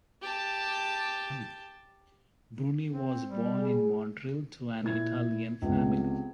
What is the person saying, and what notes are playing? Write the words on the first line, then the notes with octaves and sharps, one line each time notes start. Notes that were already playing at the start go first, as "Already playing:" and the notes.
Bruni was born in Montreal to an Italian family.
G4 A5
C4
G3
G#4
A#2 E4 G#6
C#2 C3 B3